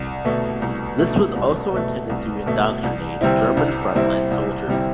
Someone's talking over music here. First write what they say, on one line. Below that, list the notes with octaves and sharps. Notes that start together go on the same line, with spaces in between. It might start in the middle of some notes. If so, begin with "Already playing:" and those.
This was also intended to indoctrinate German front line soldiers.
Already playing: C2
B2 A3
C2
B2 A3
C2
B2 A3
C2
B2 A3
C2
C3 G3 C4 E4
C2
C3 G3 C4 E4
C2
C3 G3 C4 E4